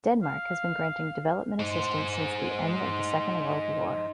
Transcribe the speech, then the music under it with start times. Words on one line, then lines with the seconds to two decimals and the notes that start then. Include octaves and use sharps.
Denmark has been granting development assistance since the end of the Second World War.
0.23 F5
1.60 D#4 C5